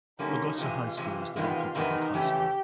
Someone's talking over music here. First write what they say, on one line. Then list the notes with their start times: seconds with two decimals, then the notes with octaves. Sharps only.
Augusta High School is the local public high school.
0.19 F#2 D3 G3 A#3 C#4 D#4
0.58 C3 E3 G#3 F4
0.97 C3 E3 G#3
1.36 E2 C3 D#3 G#3 B3 F4
1.75 E2 C3 D#3 G#3 B3 D#4
2.14 F2 C#3 E3 A3 C#4 G4